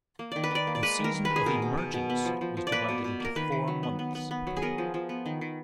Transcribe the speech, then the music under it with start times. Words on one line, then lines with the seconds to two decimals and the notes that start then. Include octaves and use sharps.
The Season of the Emergence was divided into four months.
0.19 A#3
0.32 D#3 D5
0.44 B4
0.51 D#3 D5
0.67 A#3
0.75 D5
0.83 G#3 B4
0.99 D#3
1.04 A#4
1.14 D#3
1.25 B4
1.30 G#3
1.36 G#4
1.46 B2 A#4
1.62 B2
1.77 B2
1.94 B2
2.10 B3
2.25 F3
2.41 F3
2.57 F3
2.67 D5
2.72 A#3 B4
2.89 B2
3.04 B2
3.20 A#3 A#4
3.36 D#3 B4
3.52 D#3
3.68 F#3
3.83 B3
3.99 B3
4.15 B3
4.31 B3
4.47 F#3
4.57 G#4
4.62 B3 A#4
4.78 F3
4.94 F3
5.09 B3
5.26 D#3
5.41 D#3